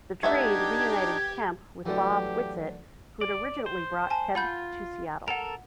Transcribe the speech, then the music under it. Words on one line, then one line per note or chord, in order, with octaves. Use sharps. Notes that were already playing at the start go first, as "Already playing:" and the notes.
The trade reunited Kemp with Bob Whitsitt, who had originally brought Kemp to Seattle.
A3 B3 D4 D#4 G4 E5 G#6
D3 E3 F#3 A3 G4
D5
C5
G#5 A5
F4 F#5 B5 G6
A4 A#4 F#5 F7